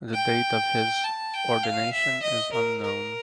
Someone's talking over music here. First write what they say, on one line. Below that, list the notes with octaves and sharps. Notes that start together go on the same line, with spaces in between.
The date of his ordination is unknown.
G5
A5
G5
F5
E5
D#5
A#4
A#4